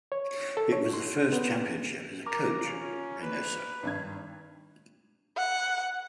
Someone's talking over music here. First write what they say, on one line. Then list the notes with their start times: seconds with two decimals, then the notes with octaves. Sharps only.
It was the first championship as a coach Reinoso.
0.12 C#5
0.57 A4
0.73 C#5
0.93 C6
1.32 B3
2.26 A#4 A#5 D6 A#6
2.64 C#4 F4 F7
3.22 B4
3.83 G#1 G2 G#6
5.37 F#5